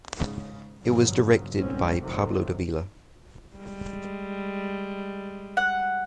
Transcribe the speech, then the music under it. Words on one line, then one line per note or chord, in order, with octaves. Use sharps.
It was directed by Pablo Davila.
G#2 C#3
G1 G2 A#2 C#3 F3 F#3
G1 C2 G#2 B2 C4 C#4
F1 F2 C3 D#3 F#3 A3
G3 G#3
F#5